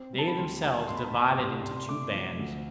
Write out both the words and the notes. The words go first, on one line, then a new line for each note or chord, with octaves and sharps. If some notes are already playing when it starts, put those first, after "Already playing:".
They themselves divided into two bands.
Already playing: C4
G3
A5
B5
D2 C6
D2 A5
G1 C6
B5
A5
G1 B5
D6
C2 C6
C2 C6
C6
A3 D6
F3
D2